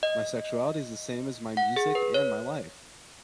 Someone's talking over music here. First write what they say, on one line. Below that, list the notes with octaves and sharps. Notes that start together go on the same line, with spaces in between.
My sexuality is the same as my music and my life.
D#5
F#5
G#4
B4
C#5